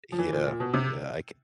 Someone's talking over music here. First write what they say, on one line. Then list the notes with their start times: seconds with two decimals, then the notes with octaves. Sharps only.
Yeah, yeah. I can
0.12 F3
0.18 E3
0.32 A#2
0.46 A#2
0.60 B2
0.74 C3